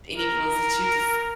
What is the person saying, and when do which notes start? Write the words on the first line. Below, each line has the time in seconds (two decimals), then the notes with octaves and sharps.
any rules that you just
0.17 A#4